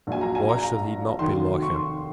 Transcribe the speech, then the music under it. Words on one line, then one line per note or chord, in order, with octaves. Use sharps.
Why should he not be like him?
A#1 A#2 F#3 G#5
A#5
G#5
A#5
A#5
F1 D#2 D#3 F#3 C6
C#6
C6